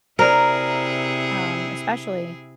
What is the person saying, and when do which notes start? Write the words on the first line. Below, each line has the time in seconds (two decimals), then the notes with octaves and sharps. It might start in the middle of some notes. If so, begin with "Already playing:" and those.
um, especially
0.19 C3 E4 G#4 A#4 C5 D5 A#5